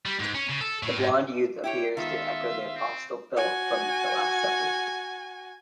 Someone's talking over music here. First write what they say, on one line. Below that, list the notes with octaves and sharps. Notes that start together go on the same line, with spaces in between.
The blonde youth appears to echo the apostle Philip from "The Last Supper".
G3
G#2
C#4
C#3
A4
A2
G#2
E4 G4 C#5 G5
D#3 G#3 B3 F4 A4 E5
C4
F#4 G#5